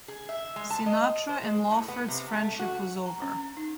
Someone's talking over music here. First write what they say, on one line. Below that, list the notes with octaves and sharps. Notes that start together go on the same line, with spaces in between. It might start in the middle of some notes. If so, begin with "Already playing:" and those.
Sinatra and Lawford's friendship was over.
G#4
E5
G#3
A5
D#5
C5
G#3
A2
B3
C3
A3
F#4
A#5
C#4
D#4